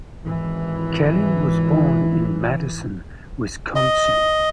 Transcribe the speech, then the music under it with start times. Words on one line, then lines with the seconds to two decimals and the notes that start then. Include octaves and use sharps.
Kelly was born in Madison, Wisconsin.
0.25 G#1 E3
3.76 D#5